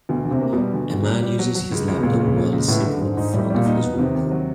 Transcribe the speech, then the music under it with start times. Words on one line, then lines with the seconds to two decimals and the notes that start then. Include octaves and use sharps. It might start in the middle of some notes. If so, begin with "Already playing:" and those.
A man uses his laptop while sitting in front of his window.
0.09 D2 B2
0.25 D2
0.31 C3
0.41 A#3
0.53 B2 G3
0.73 D2
0.90 D2
1.06 G3
1.23 G3
1.39 F#3
1.55 F#3
1.72 C#2
1.88 C#2
1.98 B2
2.03 C#2 A#2
2.20 C#3
2.36 C#3
2.53 C#2
2.68 A2 B3
2.85 D3
3.01 G#2 D3
3.17 G#2 D#4
3.33 A2 G3
3.50 A#2 G3
3.66 D#4
3.76 B2
3.83 B3
3.94 B2
3.98 C3 D#3
4.15 D#2
4.31 F#3